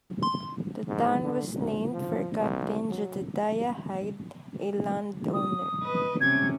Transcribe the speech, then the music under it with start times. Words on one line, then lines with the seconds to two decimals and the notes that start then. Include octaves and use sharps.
The town was named for Captain Jedediah Hyde, a landowner.
0.23 C6
0.87 G#2
1.22 D3
1.56 D2
1.92 F3
2.39 C2
2.89 F#3
5.34 D#6
5.83 B4 D#5
6.21 C3 C#4 G#6